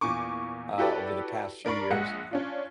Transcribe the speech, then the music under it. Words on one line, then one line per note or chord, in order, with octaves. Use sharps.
uh, over the past few years,
E2 A#2 G#5 C#6 D6
E4 F#4 G4 A4 B4 D5
D4 A#4 D5 B5 C#6
A#1 G#3 F#5 F#6 C#7
C#4 D4 F4